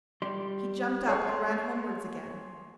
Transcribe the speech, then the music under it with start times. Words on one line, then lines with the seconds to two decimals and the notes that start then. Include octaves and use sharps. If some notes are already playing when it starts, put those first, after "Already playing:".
He jumped up and ran homewards again.
0.22 G3 D5 C6
1.07 G#4 A4 C#5 C6